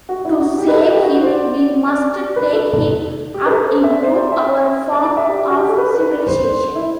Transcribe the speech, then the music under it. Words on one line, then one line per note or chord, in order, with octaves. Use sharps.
To save him we must take him up into our form of civilization.
F#4
E4
F#4
G4
B4
A4
G4
F#4
F#4
C5
D5
D5
B4
A4
A4
G4
B4
A4
C5
E5
D5
C5
D5
E5
D5
D5
E5
G4
F#4
G4
A4
B4
B4
D5
C5
E4